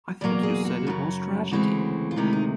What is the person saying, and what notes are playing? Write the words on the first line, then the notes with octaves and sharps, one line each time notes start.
I thought you said it was a tragedy.
E2 B2 F#3 A#3 D5
G#4
F#4
F#2 C#3 F#3
D2 C#3 E3 G#3 C4 F#4
F4
D2 C3 D#3 G#3 C#4 E4
D#4